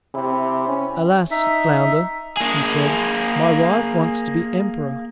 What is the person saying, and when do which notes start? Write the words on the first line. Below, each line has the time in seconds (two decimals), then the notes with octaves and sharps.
"Alas, flounder," he said, "my wife wants to be emperor."
0.15 C3 E4
0.68 C#4
1.31 D#4 E5
2.37 A#3 G#4